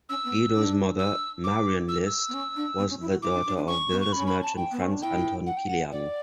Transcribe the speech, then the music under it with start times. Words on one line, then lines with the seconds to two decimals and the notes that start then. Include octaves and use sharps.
Guido's mother, Marian List, was the daughter of builder's merchant Franz Anton Killian.
0.09 C#4 E6
0.24 B3
0.54 D4
0.99 E6
1.44 D6
1.89 E6
2.06 E6
2.28 B3
2.33 C#4
2.56 D4
2.78 B3
2.89 C#4
3.01 E4
3.12 F#4
3.22 E4 D6
3.34 D4
3.46 D4
3.56 D4
3.67 C#4 C#6
3.91 B3
4.01 C#6
4.12 C#4 B5
4.27 B5
4.43 A5
4.57 G5
4.71 B3
4.81 C#4
4.92 D4
5.02 E4 G5
5.47 F#5
5.57 G5
5.67 F#5
5.92 D5